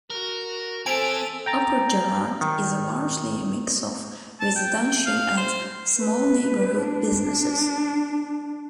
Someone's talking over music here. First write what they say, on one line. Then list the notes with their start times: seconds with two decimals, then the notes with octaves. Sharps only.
Upper Gerrard is largely a mix of residential and small neighbourhood businesses.
0.10 F#4 A#4
0.86 C4 A4 C5 E5 G#5 A5 D7 F7
1.46 G5 A#5 A6
2.41 D#3
4.41 A5
4.56 G5
5.06 F5
5.37 C5
5.99 B4
6.83 D4